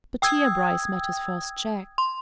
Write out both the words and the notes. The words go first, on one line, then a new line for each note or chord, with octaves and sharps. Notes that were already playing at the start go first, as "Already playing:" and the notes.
But here Bryce met his first check.
G5 D#6 E6 G#6
C6